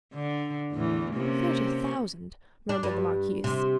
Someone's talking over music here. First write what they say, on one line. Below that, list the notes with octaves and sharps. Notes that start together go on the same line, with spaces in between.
"Thirty thousand," murmured the marquise.
D3
E2 A2 E3
C3 A#3 C#4
D4
G2
C3